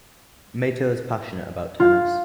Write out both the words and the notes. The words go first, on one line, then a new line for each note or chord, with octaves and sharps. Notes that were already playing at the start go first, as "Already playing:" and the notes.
Mato is passionate about tennis.
F4